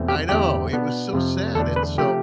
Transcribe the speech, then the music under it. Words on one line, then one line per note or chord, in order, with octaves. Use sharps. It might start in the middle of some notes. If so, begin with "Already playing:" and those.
I know, it was so sad, and so,
Already playing: E2 B2 A3 C4
G4
E2 D3 A3 C4 G4
B2 B3 D4
F2 C3 F3
E2 D3 A3 D4 A4
B4
C3 F3 A3 G4